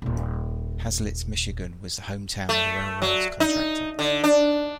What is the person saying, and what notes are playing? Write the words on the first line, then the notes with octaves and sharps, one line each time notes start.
Haslett, Michigan was the hometown of the railroad's contractor.
D#1 A#2
A3
F#3
D#4
D3
D4